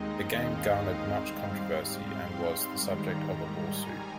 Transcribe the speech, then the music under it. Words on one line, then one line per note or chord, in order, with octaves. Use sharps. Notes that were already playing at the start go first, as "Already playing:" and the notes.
The game garnered much controversy and was the subject of a lawsuit.
Already playing: D#2 D#3 G#3 C4 D#4 D#5
F5
G#2 G3 C4
C6
G#2 D#3 G3 A#5
G#5